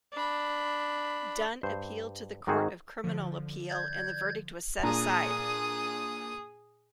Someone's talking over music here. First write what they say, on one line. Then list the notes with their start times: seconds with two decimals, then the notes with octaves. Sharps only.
Dunn appealed to the Court of Criminal Appeal and the verdict was set aside.
0.13 D4 B5
1.63 G2 C5
2.47 G#2 D#3 C4 F#4 G#4
3.04 D3 F3
3.69 D5 G6 G#6
4.83 A#2 D4 G#4 A#5 D#6